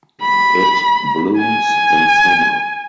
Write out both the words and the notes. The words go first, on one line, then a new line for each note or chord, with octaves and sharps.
It blooms in summer.
B5
G#5